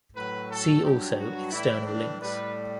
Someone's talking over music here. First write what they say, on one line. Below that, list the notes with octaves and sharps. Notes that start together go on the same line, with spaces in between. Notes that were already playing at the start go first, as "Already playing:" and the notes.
See also external links.
A2 F#3 B4
A4
G2 F#3 G4
F#4
A2 E3 G3 E4
D4
A2 G3 B4